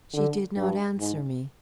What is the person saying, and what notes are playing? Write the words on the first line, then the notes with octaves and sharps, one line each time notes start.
She did not answer me.
D3
G2
G#2